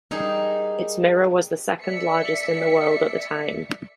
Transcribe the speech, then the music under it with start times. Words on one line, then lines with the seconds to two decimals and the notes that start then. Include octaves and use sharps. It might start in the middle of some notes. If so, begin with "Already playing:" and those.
Its mirror was the second largest in the world at the time.
0.11 G3 A#3 D#4 G#4
1.81 D5 E5 B6 C#7